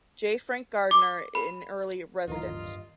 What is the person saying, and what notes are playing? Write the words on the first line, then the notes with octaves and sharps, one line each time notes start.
J. Frank Gardner, an early resident.
D6
B5
D1 G2 A#2 D#3 E3 F4 D#5 A#5